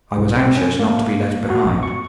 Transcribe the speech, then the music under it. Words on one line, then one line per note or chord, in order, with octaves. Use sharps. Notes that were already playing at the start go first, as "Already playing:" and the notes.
I was anxious not to be left behind.
C2
C4
C#4
A#3
F#4
A#1
C#6